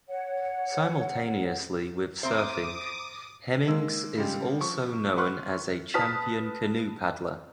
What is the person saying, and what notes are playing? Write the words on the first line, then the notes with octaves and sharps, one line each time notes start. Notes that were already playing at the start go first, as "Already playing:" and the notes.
Simultaneously with surfing, Hemmings is also known as a champion canoe paddler.
C#5 F#5
C4 C5 E5 A#5 D6 D#6
D#3 G#3 A#3 E6
C#3 G3 G#3 F4 G4
F3 C#6
B4 F#5 C6 C#6 F6 F#6
B4 A5 D#6 F6 B6